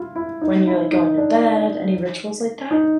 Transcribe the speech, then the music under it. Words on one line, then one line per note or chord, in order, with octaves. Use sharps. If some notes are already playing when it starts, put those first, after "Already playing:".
when you're, like, going to bed? Any rituals like that?
Already playing: E4 F4
E4
D#4
E4
D#4
D4
D#4